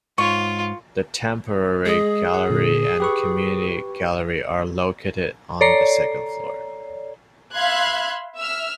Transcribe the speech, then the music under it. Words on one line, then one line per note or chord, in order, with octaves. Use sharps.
The Temporary Gallery and Community Gallery are located on the second floor.
G#2 F4 C#5 C#6
G#3 G#4 D#5
F#5
A#2 D3
G4 B4 C#6
A4 C#5 D5 A#5 C7
E5 F5 B5 C6 F#6 G#6
E5 E6 F6